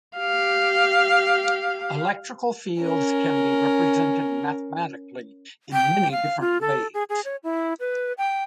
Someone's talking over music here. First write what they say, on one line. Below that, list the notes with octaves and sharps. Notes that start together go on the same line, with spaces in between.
Electrical fields can be represented mathematically in many different ways.
G4 F5
C#4 A#4
G5
F5
F4
A4
G#4
G#4
C#5
E4
B4
G5